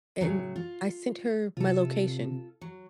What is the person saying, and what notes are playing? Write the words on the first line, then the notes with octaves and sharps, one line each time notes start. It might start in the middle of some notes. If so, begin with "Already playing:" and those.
And I sent her my location
A2 C#3 F#3
F4
C3 F4 A4
F#3